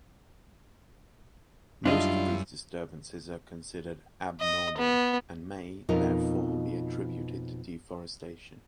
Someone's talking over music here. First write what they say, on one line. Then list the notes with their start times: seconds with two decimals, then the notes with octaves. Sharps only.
Most of these disturbances are considered abnormal and may, therefore, be attributed to deforestation.
1.86 F#2 G3 D4 E4 F4 D#5
4.40 D#5
4.78 B3
5.89 F2 B2 D#4 F4 A#4